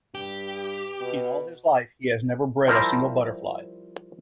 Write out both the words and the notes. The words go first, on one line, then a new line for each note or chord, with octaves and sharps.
In all his life he has never bred a single butterfly.
G2 G4
B2
F3 G3 E4 A#4 C5